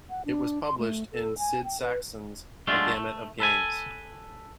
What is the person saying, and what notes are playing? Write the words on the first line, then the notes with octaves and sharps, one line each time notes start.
It was published in Sid Sackson's A Gamut of Games.
F#5
D4
C6
A3
A4
G#5
G5
B4
F#3 G#3 A3 C#4 D4 F4
A3
A4 B4 G#5